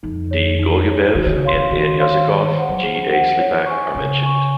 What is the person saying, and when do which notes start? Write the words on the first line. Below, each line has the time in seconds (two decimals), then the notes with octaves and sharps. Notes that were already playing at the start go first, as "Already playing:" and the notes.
D. Golubev, N. N. Yazykov, G. A. Slipak are mentioned.
0.03 F2 D#4
0.31 G#4 C#5
0.59 D#4
0.87 G#4 C#5
1.15 D#3 F#4
1.26 D#3
1.34 C#3
1.43 C#5 F5 C6
1.53 C#3
1.71 D#3 F#4
1.99 C#5 F5 C6
2.27 G#4
2.55 C5 F#5
2.69 F#3
2.83 F3 G#4
3.11 C5 F#5
3.39 C#5
3.66 G#5 C#6
3.94 C#3 C#5
4.23 G#5 C#6